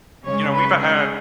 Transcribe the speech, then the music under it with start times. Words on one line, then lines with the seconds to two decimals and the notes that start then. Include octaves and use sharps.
you know, we've, uh, had
0.24 C#3 G#3 C#4 C#5
0.51 B4
0.80 G#4